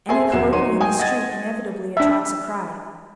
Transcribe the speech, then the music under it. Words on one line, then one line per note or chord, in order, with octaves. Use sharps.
Any colloquy in the street inevitably attracts a crowd.
G#4 A4 C5 E5 G#5 C6
D#2 F#3 E5 F#5 C7 E7
F#3 D#4 C#5 C6 D#7
G5 G#5 D#6
D#5 F#5 D#6 G#6 A6 D#7
D4 E5